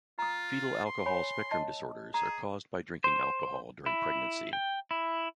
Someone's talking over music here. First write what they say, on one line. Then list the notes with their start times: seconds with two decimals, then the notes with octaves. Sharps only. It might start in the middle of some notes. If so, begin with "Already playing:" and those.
Fetal alcohol spectrum disorders are caused by drinking alcohol during pregnancy.
0.19 F4 A#5 D#6
0.85 C6
1.06 C#5 G#5 B5
1.51 D#5 A5
2.14 G#4 A#5
3.04 C5
3.86 E4
4.53 G5
4.91 E4